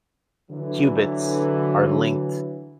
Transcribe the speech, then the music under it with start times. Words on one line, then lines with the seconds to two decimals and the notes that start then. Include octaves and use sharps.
cubits are linked
0.51 D3 E3 F#3